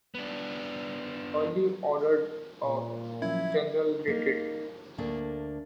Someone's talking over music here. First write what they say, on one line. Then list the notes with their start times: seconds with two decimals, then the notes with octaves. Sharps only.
Early ordered a general retreat.
0.15 B3 D4
2.64 A#2
3.22 F3 F#3 C#4 E4 E5 G#6
4.08 A#3 D#4
4.98 D2 A3 A#3 D4